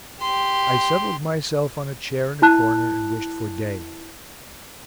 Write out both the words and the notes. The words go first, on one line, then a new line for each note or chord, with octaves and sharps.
I settled myself on a chair in a corner and wished for day.
G4 C6
E4 A5 F#6